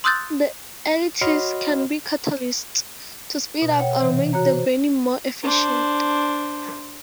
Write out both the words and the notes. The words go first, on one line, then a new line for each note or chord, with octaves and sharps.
The additives can be catalysts, to speed up or make the burning more efficient.
C6 D#6 E6 F#6 G6 A6
F#4 C#5 D#5 B5 C6 F6
B2
C#5 F#5 G5
C3 E3
F#4 C#5 A#5
C5
D4 C5